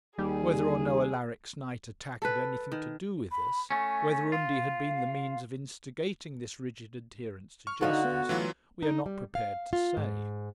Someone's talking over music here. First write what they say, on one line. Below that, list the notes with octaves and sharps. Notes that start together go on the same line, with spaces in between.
Whether or no Alaric's night attack had anything to do with this, whether Undy had been the means of instigating this rigid adherence to justice, we are not prepared to say.
D#2 G3 G#4
A4 B4
D#3
B5
A3 C#4 G#5
F4 F5
C#6 F6
D3 D#4 F4 F#4 A4
B3
D2 E3 F#3 A3 F4
D#4
G3
F5
F4
G#2